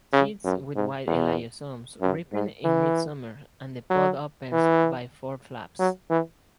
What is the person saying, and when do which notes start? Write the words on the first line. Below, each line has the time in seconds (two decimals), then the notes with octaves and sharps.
Seeds with white elaiosomes ripen in midsummer and the pod opens by four flaps.
0.13 C#3
0.44 F#2
0.76 G#2
1.07 E2
2.01 F#2
2.33 G#2
2.64 E3
3.90 F#3
4.53 E3
5.79 F#3
6.10 E3